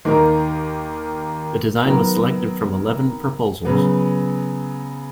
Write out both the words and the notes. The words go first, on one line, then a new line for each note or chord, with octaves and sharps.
The design was selected from eleven proposals.
D#2 D#3 A#3 D#4 A#4
D#3 F#3 B3 F#4 A#4
C#3 F#3 B3